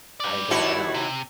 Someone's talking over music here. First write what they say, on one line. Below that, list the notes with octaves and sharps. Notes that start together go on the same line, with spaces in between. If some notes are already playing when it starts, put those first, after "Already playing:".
I don't know.
B4 D5
D#2 E4 F#4
C3